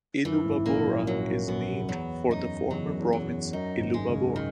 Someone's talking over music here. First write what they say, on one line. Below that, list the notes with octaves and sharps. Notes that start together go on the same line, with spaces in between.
Illubabora is named for the former province Illubabor.
F#2 E3
G#1 G#2
A#1 A#2 A#3
F#2
F#2 F#3
F#2 B3
E2 F#3
F#2 D#4
E2 F#3
F#2
E2
F#3
F#2 D#4
G#1 G#2
G#3
C#2 C#3
D#3